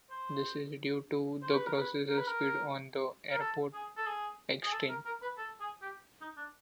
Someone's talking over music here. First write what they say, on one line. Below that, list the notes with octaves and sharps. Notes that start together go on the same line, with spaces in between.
This is due to the processor speed on the AirPort extreme.
C5
C5
B4
A#4
B4
A#4
B4
A#4
A#4
A4
G#4
A4
G#4
G#4
A4
A#4
A#4
B4
A4
G#4
G4
D#4
D4